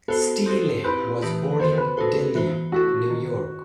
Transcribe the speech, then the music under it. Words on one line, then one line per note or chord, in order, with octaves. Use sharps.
Steele was born in Delhi, New York.
B3 F#4 A4 C5
C4 D#4 F#4 A4 C5
C4 E4 G4 B4
E3 A3 D#4 G4 B4
B3 F#4 A4 C5
B4
A3 D#4 F#4 A4 C5
E3 B3 F#4 C5
A3 E4 F#4 A4
D#3